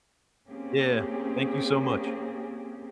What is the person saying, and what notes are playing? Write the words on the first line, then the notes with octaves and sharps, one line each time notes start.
Yeah. Thank you so much.
A#3 C4 C#4 G4 G#4